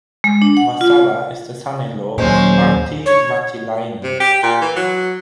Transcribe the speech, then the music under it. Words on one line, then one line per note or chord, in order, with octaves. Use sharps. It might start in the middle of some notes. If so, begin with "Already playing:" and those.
Vasala is the son-in-law of Martti Matilainen.
G#3
D4
F#5
F4
D#2 A#2 F#3 G#3 C#4 C5
C#5
C3
G4
A#2
E3
F#3